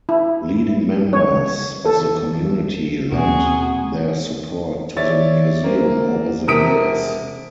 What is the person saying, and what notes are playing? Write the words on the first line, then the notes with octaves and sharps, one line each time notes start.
Leading members of the community lent their support to the Museum over the years.
E4
C#5
A4
D#2 B2 A#3 C4 F#4 G#4
C#5 D5 E5 A6
A#3 C4
E1 C3 A#4 D#6 B6 D7